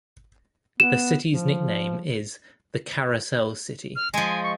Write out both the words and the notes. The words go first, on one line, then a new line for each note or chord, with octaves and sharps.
The city's nickname is "The Carousel City".
B3 E7
F3
F6
F3 G#3 G#5
C#6